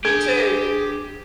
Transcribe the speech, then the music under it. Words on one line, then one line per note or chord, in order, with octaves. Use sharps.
Me too.
D4 G4 G#4 G#6